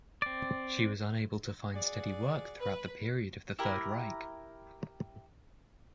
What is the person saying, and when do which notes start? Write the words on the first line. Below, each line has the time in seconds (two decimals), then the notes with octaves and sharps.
She was unable to find steady work throughout the period of the Third Reich.
0.22 C4 D5
1.73 F#4 G#4 D5
2.59 B4
3.59 E4 G4 A#4 B5